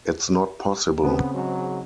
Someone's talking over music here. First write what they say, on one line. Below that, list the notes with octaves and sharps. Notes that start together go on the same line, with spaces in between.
It's not possible.
C#3 B3 C4
G#2 F#3